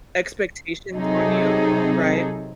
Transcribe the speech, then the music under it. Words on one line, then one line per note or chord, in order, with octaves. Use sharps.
expectations on you, right?
C3 F#3 C4 D#4 G#4 A4